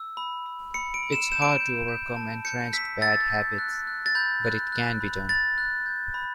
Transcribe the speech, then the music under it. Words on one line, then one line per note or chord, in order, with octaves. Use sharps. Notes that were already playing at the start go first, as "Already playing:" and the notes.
It's hard to overcome entrenched bad habits, but it can be done.
Already playing: E6
B5
B5
B5 C#7
D7
B5
E7
G6 E7
D7
E7
G6
G6
A5
G6 C#7
E6 B6
E6 A6
G6
F#6
F#6
A6
B5 G6
F#6
F#6
B5
B5 A6
F#6
G6
B5